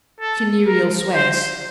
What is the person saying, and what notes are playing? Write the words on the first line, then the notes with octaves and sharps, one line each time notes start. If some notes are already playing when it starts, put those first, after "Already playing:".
Funereal sweats.
A4
A#4
C5